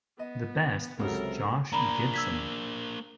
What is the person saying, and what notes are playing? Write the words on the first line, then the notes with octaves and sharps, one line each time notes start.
The best was Josh Gibson.
B3 D#5
C#2 C3 F#3 A4 A#4
A#3 D4 A#5 B5
E6 G#6 B6